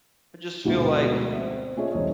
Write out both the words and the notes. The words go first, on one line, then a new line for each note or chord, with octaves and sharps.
I just feel like,
D2 G#2 B2 F3 A3 B3
C4 E5
A3 C#4 F4 G#4 C#5 D#5
E1 C2 A3 C5 C#5 D#5